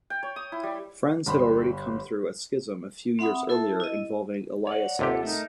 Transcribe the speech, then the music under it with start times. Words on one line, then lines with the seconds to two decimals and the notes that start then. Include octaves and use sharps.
Friends had already come through a schism a few years earlier involving Elias Hicks.
0.10 G5
0.23 C#5
0.36 D#6
0.52 E4
0.63 G3
1.26 G1 G3 B5 C6
3.19 C4 E5 F#5 B5 D#6
3.49 E4 A4 E5 A5
3.80 E4 D#5
4.67 C#5 D5 F#5
4.99 D#2 C3 F4 G4 A4 F#5
5.23 A3 D#4 A#4